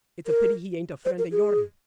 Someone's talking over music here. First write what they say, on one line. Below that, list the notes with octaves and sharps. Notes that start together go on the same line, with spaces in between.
It's a pity he ain't a friend o' yourn.
A#4
C5
A#4
G#4